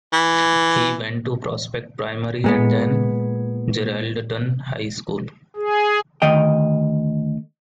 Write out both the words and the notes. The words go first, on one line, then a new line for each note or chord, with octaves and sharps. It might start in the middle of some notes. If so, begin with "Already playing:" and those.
He went to Prospect Primary and then Geraldton High School.
E3
A#2 G#3 B3
G#4
D2 D#3 D#5 G5